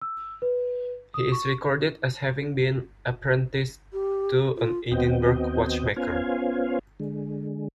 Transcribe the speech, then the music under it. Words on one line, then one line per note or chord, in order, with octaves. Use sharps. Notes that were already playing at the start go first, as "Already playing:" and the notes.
He is recorded as having been apprenticed to an Edinburgh watchmaker.
E6
B4
D#6
C#6
G4
F4
D#2 B3 C4 F#4 D#5 G5
B3 C#4 F4 C5 F5 G#5
D3 G#3